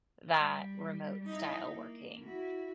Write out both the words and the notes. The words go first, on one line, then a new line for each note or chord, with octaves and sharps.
that remote-style working,
G3
D#4 E4
A#3
E4 F#4